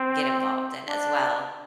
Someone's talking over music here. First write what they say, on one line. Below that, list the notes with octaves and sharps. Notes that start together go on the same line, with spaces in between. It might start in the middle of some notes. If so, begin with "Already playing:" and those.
get involved in as well.
Already playing: C4
D4